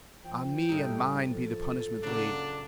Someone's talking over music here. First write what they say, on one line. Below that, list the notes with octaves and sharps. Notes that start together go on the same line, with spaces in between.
On me and mine be the punishment laid.
F3 G5
A2 G3 D#4
F3 A4
A#2 C#3 F#3 D4